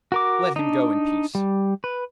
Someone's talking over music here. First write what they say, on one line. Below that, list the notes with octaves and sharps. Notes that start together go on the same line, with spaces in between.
Let him go in peace.'
F#4 A#4 D6
D4 D#4
G3
B4